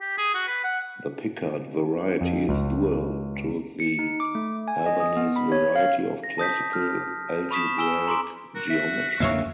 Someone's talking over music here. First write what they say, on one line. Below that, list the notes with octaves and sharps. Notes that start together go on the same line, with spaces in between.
The Picard variety is dual to the Albanese variety of classical algebraic geometry.
G4
G#4
F#4
B4
F#5
F2
C#2
C#7
D#4
D6
A3
G#5
D#5
D#6
B3
B5
C#5
F5
A#6
A5 D#6 G6 B6
F6
B5 C#6 D#6 B6 E7
G#5 E6 E7 G7
A#5 C6 D6 D7
F#4 A#4
E5
F2 D3 A#3 A#4 C#5 E5 F5